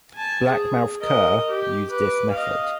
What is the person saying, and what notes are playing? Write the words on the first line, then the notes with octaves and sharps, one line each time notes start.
Blackmouth Cur use this method.
G#5 A5
G#4
A#4 D#5
G4
B4 D6
D#5 F5